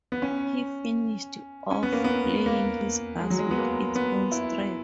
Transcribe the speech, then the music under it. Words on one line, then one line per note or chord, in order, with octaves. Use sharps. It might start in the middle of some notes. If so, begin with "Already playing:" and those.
He finished off playing his bass with its own strap.
B3
C#4
C#4
B3
A#3
B3
A#3
G#3
F#3
G#3
B3
A#3
B3
E4